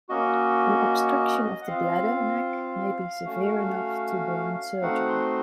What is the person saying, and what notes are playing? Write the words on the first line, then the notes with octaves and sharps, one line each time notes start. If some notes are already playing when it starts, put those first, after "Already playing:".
An obstruction of the bladder neck may be severe enough to warrant surgery.
A#3 C#4 F#4 D#5
F#5
C4 F4 F5
A3 C#4 F#4
A3 C4 D#4 F#4 F#5
C6